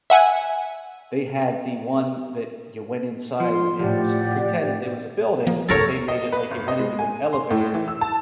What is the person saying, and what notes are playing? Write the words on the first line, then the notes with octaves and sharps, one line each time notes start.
they had the one that you went inside, and it was pretend it was a building, but they made it like you went into an elevator
E5 F#5 G#5
F3 C6
A2 F3 G4 D5 F#5
F3 A#3
F1 C2 F#2 A4 A#4 C#5
D#5
B4
G1
D#5
G#3
G#5
C6
A2
E3
E6
A5